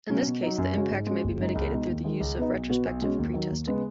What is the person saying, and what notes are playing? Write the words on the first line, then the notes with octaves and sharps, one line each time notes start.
In this case the impact may be mitigated through the use of retrospective pretesting.
B2 F#3 C#4
B2
F#3 D#4
F#2
C#3 G#3 C#4 F#4
G#2
G#3 C#4 F#4
F#1
F#2 C#3 G#3 D#4
C#2
B2 G#3 D#4
D#2
D#3 G#3
C#2
B2 B3 D#4
B1
B2 B3 F#4
B1
B2 G#3 C#4 F#4
D#2
D#3 F#3
D#2
C#3 G#3 B3